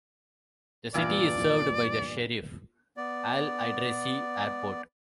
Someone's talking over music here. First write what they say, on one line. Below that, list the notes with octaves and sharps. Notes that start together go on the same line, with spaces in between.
The city is served by the Cherif Al Idrissi Airport.
E2 G2 A#2 D5
B3 D5